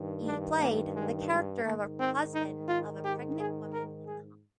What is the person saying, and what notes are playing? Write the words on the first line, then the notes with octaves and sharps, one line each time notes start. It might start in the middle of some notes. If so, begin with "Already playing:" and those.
He played the character of a husband of a pregnant woman in the hospital.
Already playing: G2 D#3
D4
A#3
G#3
G#3
G#2 D#3 A#3
C4
D#4
F4
G4
G#4
A#4
G#4